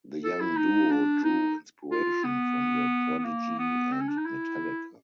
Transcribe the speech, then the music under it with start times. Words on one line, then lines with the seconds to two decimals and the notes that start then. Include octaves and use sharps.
The young duo drew inspiration from The Prodigy and Metallica.
0.24 A4
0.40 E4
0.57 D#4
0.90 D4
1.24 D#4
1.91 F4
2.24 B3
3.18 B3
3.25 A#3
3.59 B3
3.92 C4
4.01 C#4
4.08 D4
4.17 D#4
4.25 E4